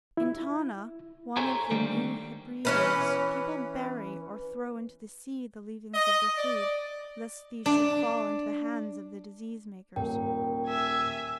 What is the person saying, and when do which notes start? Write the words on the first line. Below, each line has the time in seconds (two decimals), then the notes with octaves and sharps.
In Tana, one of the New Hebrides, people bury or throw into the sea the leavings of their food, lest these should fall into the hands of the disease-makers.
0.17 E4
1.37 G#4 A4 C5 C#5 G#5 A#5
1.71 D3 D#3 G3 A3 A#3 G4
2.65 E3 C#4 B4
5.94 D#5
6.37 D5
7.66 D4
9.96 D#1 A#4 G5
10.67 E5 G#5